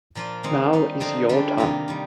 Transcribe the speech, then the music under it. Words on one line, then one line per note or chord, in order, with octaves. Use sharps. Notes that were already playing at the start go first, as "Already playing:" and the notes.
Now is your time.
A#2 F3 A#3 F4
D#3 G#3 C4 D#4
G3 A#3 D#4
D3 F3 C4 D#4
D3 G3 D4 F4
C3 D#3 A#3 F4
D#3 G3